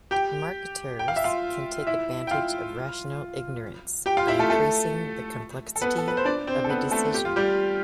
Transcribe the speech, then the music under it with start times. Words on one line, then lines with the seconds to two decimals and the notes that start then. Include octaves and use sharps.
Marketers can take advantage of rational ignorance by increasing the complexity of a decision.
0.11 G4 G5
0.99 G5
1.08 F5
1.16 E5
1.24 F4 F5
1.87 E4 E5
2.27 G5
2.31 F4 F5
4.06 G4 G5
4.17 F4 F5
4.28 E4 E5
4.39 A3 A4
4.50 A3 A4
5.76 A4
5.82 B3 B4
5.98 A4
6.08 B4
6.17 C5
6.25 D4 D5
6.47 C4 C5
6.64 A4
6.70 B3 B4
6.91 A3 A4
7.14 G4
7.25 F4
7.36 G3 G4